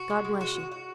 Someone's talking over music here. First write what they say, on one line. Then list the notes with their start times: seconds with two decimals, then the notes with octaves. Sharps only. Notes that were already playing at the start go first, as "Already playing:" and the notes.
'God bless you!
Already playing: F#4
0.10 G#3
0.25 G#3
0.41 F#4
0.56 F#4
0.71 F#4